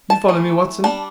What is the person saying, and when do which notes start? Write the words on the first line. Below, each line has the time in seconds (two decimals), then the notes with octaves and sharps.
You follow me, Watson?
0.10 A5
0.28 E3 A3
0.84 G3 D4 A5